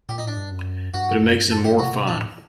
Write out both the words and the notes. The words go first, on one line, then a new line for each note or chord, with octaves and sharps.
But it makes them more fun!
A#2 G4
D#4
A2 D4
G2
F#2
G2 F#4
F#2
G2
F#2 A4
G2 G4
C3 F#4
C3
A#2 D4
A2